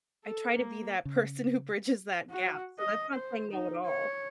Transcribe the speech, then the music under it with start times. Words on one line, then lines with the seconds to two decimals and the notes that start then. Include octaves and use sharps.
I try to be that person who bridges that gap. So that's not saying "no" at all.
0.24 A4
0.56 A#3
1.05 C#3
2.30 F#4
2.78 D#5
3.13 C5
3.50 D#4
3.85 C#5